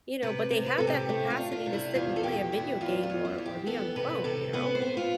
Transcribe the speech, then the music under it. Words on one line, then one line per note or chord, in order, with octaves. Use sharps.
you know, but they have that capacity to sit and play a video game or or be on the phone, you know,
C3 B4
C3
B4
C3 A4
G4
A3 E4
F4
D4
F4
C3
E4
E2 F4
A4
B2 G4
E2 E4
E2 F4
F4
E2
E4
E2
G4
B3 A4
C3 B4
C3 A4
B3 B4
C5
B3
F4